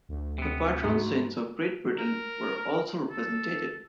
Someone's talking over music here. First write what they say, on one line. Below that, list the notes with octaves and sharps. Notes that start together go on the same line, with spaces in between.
The patron saints of Great Britain are also represented.
D2
C3 B3
G#2 B2 D#4
A#4
A4